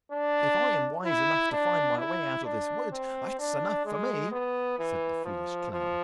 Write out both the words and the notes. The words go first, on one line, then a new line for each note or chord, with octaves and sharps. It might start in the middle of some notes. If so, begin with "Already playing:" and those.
"If I am wise enough to find my way out of this wood, that's enough for me," said the foolish clown.
D4
E4
D4
E4
D4
C4
D4
G#3
B3
E3
F3
F3